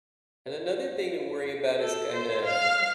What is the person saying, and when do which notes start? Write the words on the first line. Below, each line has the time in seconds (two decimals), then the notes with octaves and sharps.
And another thing to worry about is, kinda,
1.79 A4
2.13 C5
2.45 F5